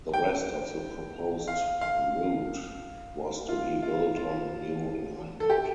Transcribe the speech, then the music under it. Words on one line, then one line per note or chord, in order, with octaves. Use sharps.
The rest of the proposed route was to be built on a new alignment.
G5
F5
F5
F4
F4
F4
A4
G4